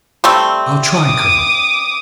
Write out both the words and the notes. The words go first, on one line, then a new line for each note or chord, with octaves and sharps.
"I'll try, Colonel!"
G3 A3 C4
D6 D#6